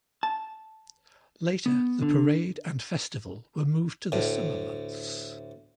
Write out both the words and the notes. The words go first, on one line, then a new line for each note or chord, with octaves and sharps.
Later, the parade and festival were moved to the summer months.
A5
B3
D3
D2 A2